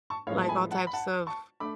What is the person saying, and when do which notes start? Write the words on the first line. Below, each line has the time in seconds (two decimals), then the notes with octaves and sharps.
like, all types of
0.10 A5 C#6
0.27 A2 F3 G#3 B3 C#5 F5
0.41 A5
0.49 G#5 B5
0.71 F#5 A5
0.87 B5
0.93 F#5 A5
1.27 A5 C#6
1.60 A3 D4 B5 D6